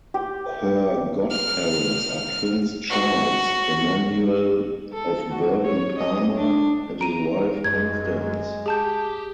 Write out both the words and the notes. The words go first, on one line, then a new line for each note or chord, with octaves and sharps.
Her godparents are Prince Charles-Emmanuel of Bourbon-Parma and his wife Constance.
G4
F6
F#4
A4
F#4
C#5
D#5
D4
A#5 D7 D#7
F#2 G#3 G#6
G4 G#4 A5 G6